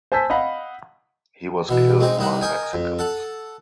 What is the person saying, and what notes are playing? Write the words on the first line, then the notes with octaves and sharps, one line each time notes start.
He was killed by Mexicans.
C5 G#5 A5 E6 G6 B6
D#5 F5 F#5 B5
B2 E3
G#3 C4 D#4
C2 D#3 D#4 F#5
A#4 D#5 G5 G#5
F2
A4 F#5